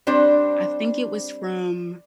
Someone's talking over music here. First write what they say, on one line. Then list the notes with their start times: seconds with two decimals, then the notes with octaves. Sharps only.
I think it was from,
0.07 G3 C4 D4 C5